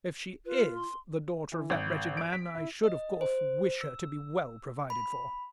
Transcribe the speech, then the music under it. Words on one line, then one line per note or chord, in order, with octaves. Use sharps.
If she is the daughter of that wretched man, I should, of course, wish her to be well provided for.
F4 B4
C6
E3
G#1
D7
B6
E4
D#5
C5
E6
B5